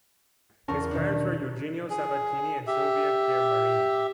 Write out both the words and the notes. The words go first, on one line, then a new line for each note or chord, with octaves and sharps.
His parents were Eugenio Sabbatini and Silvia Piermarini.
E2 C#3 A#4 A5 C#6
B2 D#3 D4
G#4
G4 E5